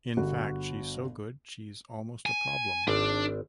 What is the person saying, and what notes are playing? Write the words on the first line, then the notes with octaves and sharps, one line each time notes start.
In fact, she's so good she's almost a problem.
G1 F#4
G#5
G#1 D4